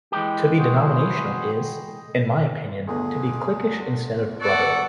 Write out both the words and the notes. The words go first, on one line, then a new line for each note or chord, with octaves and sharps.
To be denominational is, in my opinion, to be cliquish instead of brotherly.
E3 G#3 G4
F#4 G#4 C5
D#5
G1 D2 G#4
A4 D5 F#5 C#6 F#6